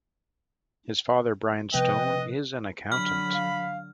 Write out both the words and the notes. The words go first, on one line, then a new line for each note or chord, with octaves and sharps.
His father, Bryan Stone, is an accountant.
C3 F3 B3 B4 D#5 G5
D3 F#3 B5 F6
F5